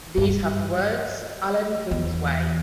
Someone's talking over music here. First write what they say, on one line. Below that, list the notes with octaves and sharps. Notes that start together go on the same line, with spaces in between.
These have the words Allan Kings Way.
G2
E2